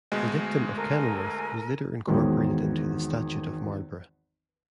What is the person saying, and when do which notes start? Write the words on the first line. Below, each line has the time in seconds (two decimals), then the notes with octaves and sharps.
The Dictum of Kenilworth was later incorporated into the Statute of Marlborough.
0.12 D2 B2 G#3
0.75 A4 A#4 G#5
2.07 G#1 E2 G#2 D#3 F#3 G#3